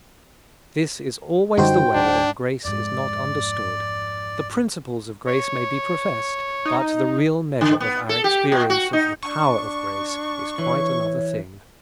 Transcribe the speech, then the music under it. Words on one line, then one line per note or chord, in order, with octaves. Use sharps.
This is always the way when grace is not understood: the principles of grace may be professed, but the real measure of our experience of the power of grace is quite another thing.
F#2 D3 G3 D#4 F#4 C5 G5
D1 D4
F2 G#2 D5
C#5
D#4
D3
B3
A4
G4
A#2
F#4
D#4
D4 C#6
E3 C#5